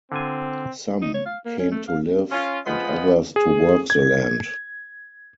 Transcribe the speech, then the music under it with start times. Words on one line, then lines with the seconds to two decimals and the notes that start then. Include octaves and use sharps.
Some came to live and others to work the land.
0.12 D3 C4 F4 G#5
1.02 D#4
1.14 C#5
1.26 F5
1.45 A#3
1.60 C#4
1.72 A3
1.88 F5
2.32 C#4 F4
2.66 F3 G#3 B3 F4 D#5 B5
3.36 G#4
3.90 G#6